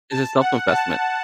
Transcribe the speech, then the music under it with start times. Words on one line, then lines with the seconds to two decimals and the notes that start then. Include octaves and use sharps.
It's a self investment.
0.11 A5
0.40 F#5
0.67 A5